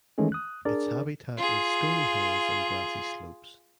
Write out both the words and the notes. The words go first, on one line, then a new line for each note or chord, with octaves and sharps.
Its habitat is stony hills and grassy slopes.
D#3 E3 G#3 A3 C#4 A4
D#6 F#6
D4 G#4 A#4 D5
F4 G#4